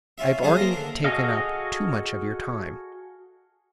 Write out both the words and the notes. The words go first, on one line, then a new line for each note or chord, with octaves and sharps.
I have already taken up too much of your time.
C#4 F4 E5
F#3 C#4 G#4 F5 A5
A#3 C5 D#5
D3 D4
F#4 G#4 A4 D#5 F5